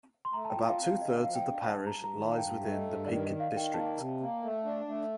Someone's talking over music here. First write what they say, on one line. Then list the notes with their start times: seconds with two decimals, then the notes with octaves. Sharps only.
About two thirds of the parish lies within the Peak District.
0.25 C6
0.33 A3 A#5
0.45 A5
0.50 G5
0.56 F4
0.67 F5
0.79 C4
0.84 F5
1.01 D3 D#5
1.24 F3 F5
1.35 G5
1.47 D4
1.69 G2 A5
1.87 A#5
1.92 G2
2.04 A#5
2.15 D#3
2.21 A5
2.30 F5
2.38 G2 G5
2.60 A3
2.72 D#5
2.83 G2
3.06 D#3 D5
3.23 D#5
3.29 D#3
3.40 F5
3.52 D#3
3.57 G5
3.74 A#3 A5
3.97 C3
4.20 A#3
4.42 A3
4.65 D4
4.88 A3